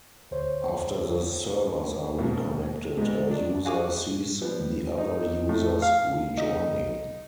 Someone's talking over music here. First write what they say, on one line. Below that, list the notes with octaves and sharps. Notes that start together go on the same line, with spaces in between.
After the servers are reconnected, a user sees the other users rejoining.
D2 C5 C#5
B1 G#2 A#3
G#2 B2 G#3
F#3 D4
F#4 G#4 F5 G#5 C#6 D6
F3 G3 B3
D#4
A2
F5
D#4